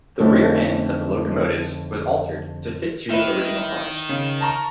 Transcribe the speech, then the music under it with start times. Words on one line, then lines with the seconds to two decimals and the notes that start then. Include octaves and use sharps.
The rear end of the locomotives was altered to fit to original cars.
0.19 F2 D3 A3 C#4 D#4
3.10 D#3 E4 B4
4.09 C#3
4.41 A5 A#5 C#6